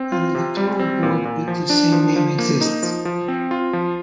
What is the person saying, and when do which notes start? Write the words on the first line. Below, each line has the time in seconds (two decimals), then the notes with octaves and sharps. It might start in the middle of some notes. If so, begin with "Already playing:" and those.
An electoral ward with the same name exists.
Already playing: C4
0.12 F4
0.35 C3
0.57 G3
0.79 C4
1.03 A#2
1.25 A#2
1.48 F3
1.70 D4
1.92 F3
2.16 F3
2.39 A#3
2.61 D#4
2.83 F3
3.05 F3
3.28 C4
3.51 F4
3.73 F3